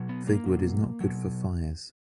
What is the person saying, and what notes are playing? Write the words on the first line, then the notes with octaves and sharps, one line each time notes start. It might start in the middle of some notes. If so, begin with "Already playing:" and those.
Fig wood is not good for fires.
Already playing: B2 F#3
B3
A#3
B2 F#3
B2 F#3